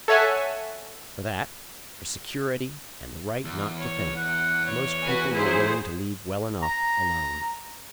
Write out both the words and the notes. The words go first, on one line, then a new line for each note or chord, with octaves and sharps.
For that, for security and the right not to think, most people were willing to leave well enough alone.
A4 C#5 E5 F#5 G#5
E2
C#5
F#5
C#5
F#4 B4 G#5
F#3 E4 G#4 C5
A#5